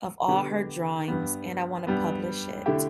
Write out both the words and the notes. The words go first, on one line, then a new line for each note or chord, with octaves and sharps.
of all her drawings, and I wanna publish it
D3 B3 G4
G2 G3 B3
G2 G3 B3
D3 A3 E4 G4